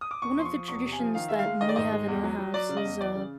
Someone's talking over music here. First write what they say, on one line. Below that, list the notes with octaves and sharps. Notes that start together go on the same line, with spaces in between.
one of the traditions that we have in our house is, uh,
D#6
D6
E2 C#6
F3 C6
C#6
F3
E2 C#6
C3
G#5
F3
D#3 F5
G#3 E5
F5
G#3
D#3 D#5
D5
G#2 D#5
G#3
E2
F#3
F#3
F#3 D5
C#3
D#5
E2
E3 D5
C#3